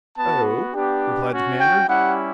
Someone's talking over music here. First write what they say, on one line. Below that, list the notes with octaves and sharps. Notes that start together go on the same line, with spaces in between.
"Oh?" replied the commander.
B3 F#4 A5
B3 D4 G4
C#4 F#4
G5
G3 C#4 E4 G4 F#5